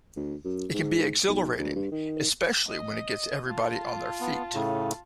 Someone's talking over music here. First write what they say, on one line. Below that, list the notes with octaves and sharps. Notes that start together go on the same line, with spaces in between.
It can be exhilarating, especially when it gets everybody on their feet.
D2
F#2
G#2
B1
D2
G2
D#3
D#5
F4 A5
B3
A2 C#3